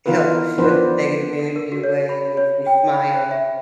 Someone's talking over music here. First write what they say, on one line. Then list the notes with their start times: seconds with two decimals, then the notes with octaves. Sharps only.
help shift negative energy away, makes me smile,
0.06 D#3 E3 B3 F4 A#4 B4
0.58 F3 B3 D4 B4 C5
1.39 A4
1.56 A#4
1.72 F#4
1.83 C#5
2.09 B5
2.37 C#5
2.66 G5
2.93 B5
3.14 C5
3.31 E5